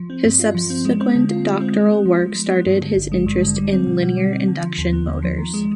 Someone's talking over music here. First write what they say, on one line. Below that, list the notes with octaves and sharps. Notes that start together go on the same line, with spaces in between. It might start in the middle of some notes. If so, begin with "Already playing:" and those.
His subsequent doctoral work started his interest in linear induction motors.
Already playing: F3
C4
G2
F4
F3
C4
G#3
C4
D3
F4
G#3
C4
G#3
B3
F3
F3
G#3
B3
G2
D3
G#1
G#3
G2
D3
G3
C4
B2
B2
G3
C4
D3
F3
D#2
B3
D3
F3
D#3
G#3